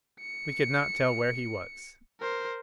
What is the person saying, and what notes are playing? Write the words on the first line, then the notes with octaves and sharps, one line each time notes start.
We could not tell where he was.
C#7
A#4 C5